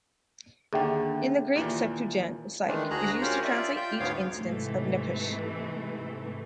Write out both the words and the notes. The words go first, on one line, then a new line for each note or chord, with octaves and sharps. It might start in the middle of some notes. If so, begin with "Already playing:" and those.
In the Greek Septuagent psyche is used to translate each instance of nephesh.
D#2 D3 G#4 E5 G5
D#2 A#2 E3
D#3 E3 G#3 A3 D4
D2 D4 F#4 G#4 A#5 F#6
C#4 F4 G4 A#4 C5 C#5
F4 D5 E5
F4 G5 G6
D2 G#2 C#3 B3 C#5 F5
G#2 C3 E3 A3